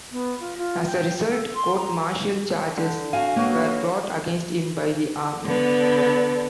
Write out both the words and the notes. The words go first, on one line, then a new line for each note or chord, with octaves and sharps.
As a result, court-martial charges were brought against him by the Army.
B3
F4
F4
G5
A4
C6
A#5
D3 G5
F#4 F5 G#5
F#3 A#3 B3 F#4
D3 B3